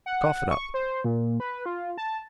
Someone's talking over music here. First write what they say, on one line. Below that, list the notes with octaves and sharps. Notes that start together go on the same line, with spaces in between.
Cough it up.
F#5
C#6
C5
A#2
B4
F4
A5